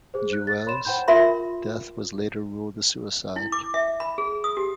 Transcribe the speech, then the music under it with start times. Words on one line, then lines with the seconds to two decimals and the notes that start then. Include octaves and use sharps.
Deuel's death was later ruled a suicide.
0.14 G#4 C5
0.33 F#6
0.47 A6
0.66 C#5 B5 C6 E7
0.85 C5 F#5 G5 B5 G6
1.08 F4 A#4 E5 B5 C6
3.36 E4
3.52 D6
3.74 E5
4.00 B5
4.18 G#4
4.44 D#6
4.57 G4